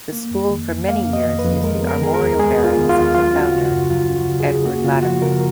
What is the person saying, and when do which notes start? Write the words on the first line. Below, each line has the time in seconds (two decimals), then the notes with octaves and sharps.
The school for many years used the armorial bearings of the founder, Edward Latymer.
0.13 A#3
0.31 F2
0.50 D#3
0.70 F2
0.88 A#3 F5
1.08 F2
1.13 D#5
1.26 D#3
1.39 B4
1.45 F2
1.63 G#3 A#4
1.83 B3
1.89 A#4
2.01 D#3 G#4
2.14 A#4
2.21 D#2
2.39 G#3 G#4
2.58 B3
2.64 F4
2.77 D#3
2.89 F4
2.96 D#2
3.14 F#3 F4
3.33 C#4
3.39 F#4
3.52 C#3
3.65 F#4
3.71 F#2
3.90 F#3 F4
4.09 C#4
4.16 F#4
4.28 C#3
4.40 G#4
4.47 F#2
4.65 A#3 F#4
4.84 C#3 F4
5.03 F3 F#4
5.22 C#3 A#4